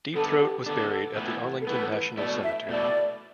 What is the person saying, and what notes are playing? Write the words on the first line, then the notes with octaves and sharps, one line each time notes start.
Deep Throat was buried at the Arlington National Cemetery.
D3 B3 D4 A4
G4
D3 B3 D4 A4
A2 E3 B3
A4
A2 E3 B3 B4
B2 A3 E4 D5
E5
B2 A3 E4 D5